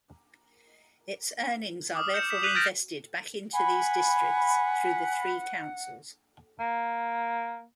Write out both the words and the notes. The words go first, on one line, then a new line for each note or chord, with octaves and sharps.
Its earnings are therefore invested back into these districts through the three councils.
D6 D#6 F6
G6 C#7 E7
B6
F#6 B6 D#7 F7 F#7
F6 G6 A6 A#6 D7 F7
F#5 G#5 B5
A#3